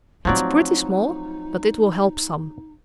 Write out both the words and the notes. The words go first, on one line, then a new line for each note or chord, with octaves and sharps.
"It's pretty small, but it will help some."
F3 F#3 A3 C4 D#4 D5